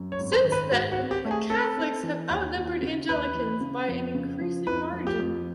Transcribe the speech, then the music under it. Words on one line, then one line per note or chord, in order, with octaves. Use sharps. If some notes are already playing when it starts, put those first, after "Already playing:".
Since then Catholics have outnumbered Anglicans by an increasing margin.
Already playing: F#2
C#5
G#1
C5
D#3
B4
G#2 F#4
F#4
C4
G4
A3
G#4
C4 A4
C4
E3
D#2
D#2
C#3
D#2 B4
E3
C#3
F2
C#3
F3
F2 B4
F3
G4
F2